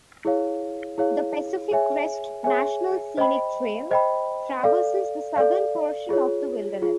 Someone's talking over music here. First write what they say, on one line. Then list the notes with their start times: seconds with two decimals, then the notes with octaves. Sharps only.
The Pacific Crest National Scenic Trail traverses the southern portion of the wilderness.
0.25 E4 G#4 C#5 F5
0.98 E4 G#4 C#5 F5
1.71 G#4 C#5 E5 G#5
2.44 G#4 C#5 E5 G#5
3.17 C5 D#5 G5 B5
3.91 C5 D#5 G5 B5
4.63 A4 D5 F5
5.36 A4 D5 F5
6.09 F4 G#4 C#5
6.82 F4 G#4